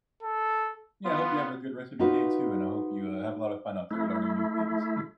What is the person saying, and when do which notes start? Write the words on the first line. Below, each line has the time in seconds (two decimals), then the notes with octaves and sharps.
Yeah, I hope you have a good rest of your day too, and I hope you, uh, have a lot of fun out there learning new things.
0.23 A4
1.05 B3 F4
1.99 D#4 F4 F#4 B4 C5
3.91 A3 E4